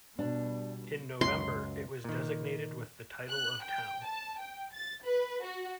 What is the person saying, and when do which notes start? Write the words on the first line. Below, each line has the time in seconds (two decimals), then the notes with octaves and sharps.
In November it was designated with the title of town.
0.19 B2 G3 D4
1.21 C#2 F#2 C6
2.04 A#2 D#3
3.30 F#6
3.63 G5
4.05 A5
4.39 G5
4.73 A6
5.04 B4
5.44 F#4